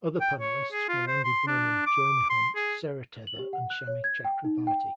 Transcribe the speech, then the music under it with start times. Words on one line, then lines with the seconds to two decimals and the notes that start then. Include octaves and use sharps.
Other panellists were Andy Burnham, Jeremy Hunt, Sarah Teather and Shami Chakrabarti.
0.21 G5
0.40 C#5
0.72 G#4
0.89 F4
1.07 C5
1.24 C6
1.47 D4
1.86 D6
2.30 C6
2.56 G#4
3.27 F#7
3.39 G4
3.53 F#5
3.70 F#6
3.87 C#5
4.04 G#6
4.25 G5
4.45 D#4
4.67 G5